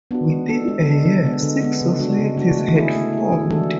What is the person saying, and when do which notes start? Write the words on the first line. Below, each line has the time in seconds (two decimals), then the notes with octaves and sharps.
Within a year, six societies had formed.
0.11 B3 D4 F#4
0.29 G#3
0.49 D4 A4
0.68 G#3
0.86 D4 A4
1.05 D3
1.25 G#3 B3
1.43 D3
1.62 G#3 B3
1.81 C#3
2.00 G#3 D4 F#4
2.19 C#3
2.37 G#3 D4 F#4
2.57 A3
2.76 E4 G#4
2.95 A3
3.13 E4 G#4
3.33 E3
3.51 G#3 D4 F#4 A4